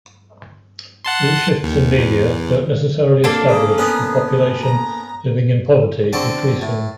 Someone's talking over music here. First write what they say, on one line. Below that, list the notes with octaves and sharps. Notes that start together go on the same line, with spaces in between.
These shifts in media don't necessarily establish the population living in poverty decreasing.
F#5 A5 C6
D#2
E2
A#3 D4 A4
C#3 A#5
B3 C#4 D#6
A#5
D3 C4 A4 C#6
A2